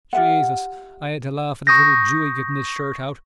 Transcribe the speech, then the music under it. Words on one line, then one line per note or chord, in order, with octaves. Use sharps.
Jesus, I had to laugh at the little jewy getting his shirt out.
F4 G4 E5 F#5
C#6 D#6 G6 A#6